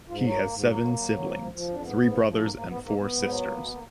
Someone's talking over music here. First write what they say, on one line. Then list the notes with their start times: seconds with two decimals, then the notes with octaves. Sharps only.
He has seven siblings - three brothers and four sisters.
0.09 G#2 F4
0.22 F#3
0.28 A#3
0.38 G#2
0.52 G#2
0.66 F#3 A#3
0.81 F#3
0.95 F#3
1.10 F#3
1.24 F3
1.39 F3
1.53 F3
1.68 F2 D4
1.82 G#2 B3
1.96 G#2
2.10 F3
2.25 F3
2.39 G#2 A#3
2.54 G#2 A#3
2.69 G#2 B3
2.83 G#2 A#3
2.98 G#2 B3
3.12 G#2
3.26 F#3
3.41 A#3
3.56 B2
3.70 A#3